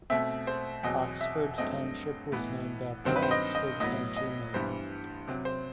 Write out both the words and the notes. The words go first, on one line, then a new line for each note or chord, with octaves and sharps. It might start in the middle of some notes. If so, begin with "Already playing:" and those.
Oxford Township was named after Oxford County, Maine.
B2 A3 C4 E5
C5
E2 B2 F#3 C4 D#5
E5
G2 F#3 A3 C4 D#5
A2 E3 B3
G2 D#3 F#3 C4 C5
B4
C5
D#5
D#5
A2 F#3 B3 D#5
D#5
G2 E3 G3 B3 C5
C3 F#3 C4
C5